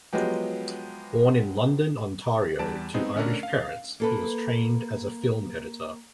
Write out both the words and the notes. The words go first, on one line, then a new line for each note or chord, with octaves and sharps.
Born in London, Ontario, to Irish parents, he was trained as a film editor.
F3 F#3 G#3 B3 G4
E2 G3 A5 D7
G#3 B3 C4 D#4 G#4
D3 A3 C#4 D4 A#4
F5
A#3 A4 B4